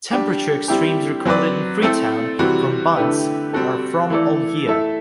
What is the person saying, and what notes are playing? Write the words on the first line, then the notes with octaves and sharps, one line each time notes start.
Temperature extremes recorded in Freetown from Bunce are from all year.
G3 D4 G4
G3 C4 E4 G4
F#3 C4 F#4 B4 D5
A3 C4 E4 A4
C3 E3 G3 C4 F#4
D3 A3 E4 G4 B4
G3 C4 F#4 A4
E3 A3 E4 A4 D5
A3 E4 A4 E5